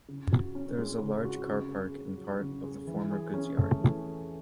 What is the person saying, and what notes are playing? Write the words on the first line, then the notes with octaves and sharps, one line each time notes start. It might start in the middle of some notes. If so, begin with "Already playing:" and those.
There is a large car park in part of the former goods yard.
C#3
F#4
C#4
G#3
C#3
F#4
C#3
G#4
C#4
F#3
C#3
G#4
E3
G#4
C#4
A3
E3
G#4